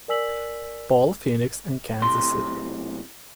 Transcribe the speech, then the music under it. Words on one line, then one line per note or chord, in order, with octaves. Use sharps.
Paul, Phoenix, and Kansas City.
A#4 D5 G#5 E6 B6 F#7
B1 A2 C3 C6